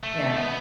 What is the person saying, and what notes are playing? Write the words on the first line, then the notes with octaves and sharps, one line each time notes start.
you know,
A3
B3